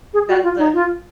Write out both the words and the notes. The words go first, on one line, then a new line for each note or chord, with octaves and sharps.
that the
G#4
F#4
F4
D#4
F4